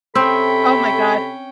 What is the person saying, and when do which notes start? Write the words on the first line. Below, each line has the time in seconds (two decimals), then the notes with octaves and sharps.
Oh my god.
0.15 C3 C4 C#4 A4 G5 B5